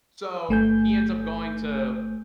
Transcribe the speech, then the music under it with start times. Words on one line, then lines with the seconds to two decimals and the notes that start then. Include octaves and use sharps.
So, he ends up going to
0.49 G1 A3 G#5 G6